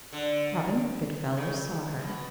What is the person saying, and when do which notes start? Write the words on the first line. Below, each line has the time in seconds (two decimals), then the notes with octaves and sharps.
Robin Goodfelllow saw her.
0.13 D3
1.37 C#3
1.99 B2